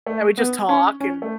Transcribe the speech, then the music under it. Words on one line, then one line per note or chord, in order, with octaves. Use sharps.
And we'd just talk and
A3
B3
C#4
C#4
A3